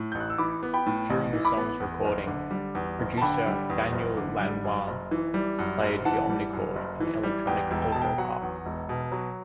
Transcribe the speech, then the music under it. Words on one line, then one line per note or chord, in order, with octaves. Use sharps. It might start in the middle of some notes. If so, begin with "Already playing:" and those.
During the song's recording, producer Daniel Lanois played the Omnichord, an electronic autoharp.
Already playing: A2
A1 G6
F#6
E6
E3 B5 D6
B3
G5 B5
A2
A1
E3
B5 D6
B3
E2
F#1
D3
G3
E2
F#1
A5
D3 G5 B5
G3
E2
F#1
D3
G3
F#2
F#1
E3
G3
F#2
F#1
E3 F#5 A5
G3
F#2
F#1
E3
G3
E2 G5
E1
G5
B2 A5
G5
F#3 F#5
E2
E1
B2
F#3